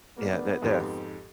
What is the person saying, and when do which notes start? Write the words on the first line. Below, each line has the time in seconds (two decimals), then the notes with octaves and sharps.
Yeah, that th yeah
0.17 A#3 B3 D4
0.62 F2 G#2 G4